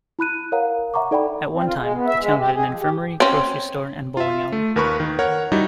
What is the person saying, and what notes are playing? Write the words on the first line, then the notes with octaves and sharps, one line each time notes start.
At one time, the town had an infirmary, grocery store, and bowling alley.
E4 B5 F#6 D#7
A#4 C#5 F5 F#5 A#5
E5 F#5 A#5 C#6 D6
D#4 A4 D5 F#5 G5 B5
C4
F4
G#3
B3
E5
G#3
G4
G#4
F3
G4
C4 C#4
F4 E5
A3
D#2 A#4 B4 B5 C#6
D#3
A#4 C#5 F#5
G3 D#4 E4 F#4